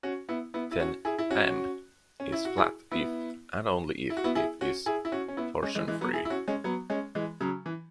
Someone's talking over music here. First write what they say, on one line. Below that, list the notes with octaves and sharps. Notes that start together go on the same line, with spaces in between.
Then "M" is flat if and only if it is torsion-free.
C#4 F#4
B3 E4
B3 E4
E4
C#4 F#4
E4 G#4
E4
C#4 F#4
C#4
E4
F#4
E4 G#4
B3 E4
E4
F#4
B3 E4
E4 G#4
C#4 F#4
E4 G#4
E4
C#4 F#4
C#4
B3 E4
G#3 C#4
E3 G#3
E3 G#3
F#3 B3
E4 G#4
E4
C#4 F#4
G#3 C#4
F#3 B3
G#3 C#4
E3 G#3
C#3 F#3
E3